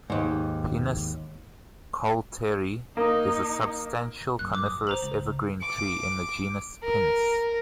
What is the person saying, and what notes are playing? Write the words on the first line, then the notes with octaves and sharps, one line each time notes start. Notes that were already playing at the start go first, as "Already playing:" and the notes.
"Pinus coulteri" is a substantial coniferous evergreen tree in the genus "Pinus".
D#2 G#2
A#3 D#4
F#2 A#2 F#6
D6
A#1 D#6
C5 A#5 F#7
C#2
D6
A#4